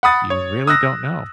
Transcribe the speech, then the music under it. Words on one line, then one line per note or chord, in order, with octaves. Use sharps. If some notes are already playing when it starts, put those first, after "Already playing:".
you really don't know.
F#5 B5 D#6 A6
C#5
D#6 E6 F#6 A#6